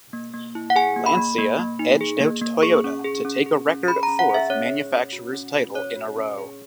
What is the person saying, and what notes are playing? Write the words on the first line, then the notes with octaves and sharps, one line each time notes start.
Lancia edged out Toyota to take a record fourth manufacturers' title in a row.
A#3
A#3
E4
F#5
G#4 G#5
A#3
B5
A#3
A#3
A#3
D#4
G#4
A#3
A#3
G#4 C#6
C#4
G#4
C#4
G#4
C#4
G#4 B5
C#4 A#5
F#5
G#4
E5
C#4 C#5
G#4
C#4
F#4
C#4
F#4
C#4 C#5
F#4
C#4
G#4